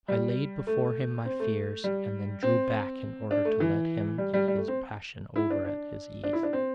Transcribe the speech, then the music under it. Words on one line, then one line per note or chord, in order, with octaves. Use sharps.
I laid before him my fears, and then drew back in order to let him get his passion over at his ease.
G3
A3
C4
A3
G3
C4
D4
A3
E3
G3
G3
G3
A3
C4
E4
D4
D4
D4
E4
D4
C4